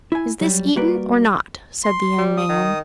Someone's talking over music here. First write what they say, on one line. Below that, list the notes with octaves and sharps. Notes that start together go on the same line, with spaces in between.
"Is this eaten or not?" said the young man.
E4 G#5
F#3 G3
G3 A#3 F#4 A#4 B4 D5
C6
G3
D#6
D#3